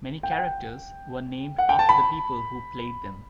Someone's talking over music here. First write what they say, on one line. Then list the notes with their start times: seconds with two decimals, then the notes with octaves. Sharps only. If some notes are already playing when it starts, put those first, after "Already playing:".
Many characters were named after the people who played them.
0.23 G5
0.31 F#5
0.39 G5
1.58 F#5
1.69 G5
1.79 A5
1.89 B5